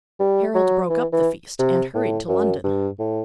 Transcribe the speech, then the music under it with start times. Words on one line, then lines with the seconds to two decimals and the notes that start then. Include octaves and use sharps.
Harold broke up the feast and hurried to London.
0.19 G3
0.55 F#3
0.89 E3
1.12 E3
1.59 C3
1.94 A2
2.29 F#2
2.64 G2
2.99 A2